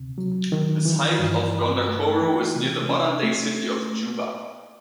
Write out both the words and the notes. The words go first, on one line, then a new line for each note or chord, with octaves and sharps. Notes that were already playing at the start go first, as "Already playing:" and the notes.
The site of Gondokoro is near to the modern-day city of Juba.
Already playing: D2 C3
F#3
D#3
E3
G2
G2
A3
E3
C3
C#4
A3